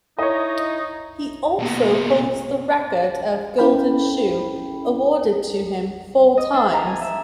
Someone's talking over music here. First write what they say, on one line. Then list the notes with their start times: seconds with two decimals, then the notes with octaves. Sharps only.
He also holds the record of Golden Shoe, awarded to him four times.
0.19 D#4 E4 C#5 D#5
1.60 B2 A#3
3.58 C#4 E4 A4 C5 G5 B5
6.37 D#5
6.54 D4
6.74 A#5
6.87 G#5
7.01 E5